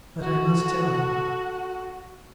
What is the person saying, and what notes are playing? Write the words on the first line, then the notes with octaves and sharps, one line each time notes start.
"But I must tell him."
F#4 A4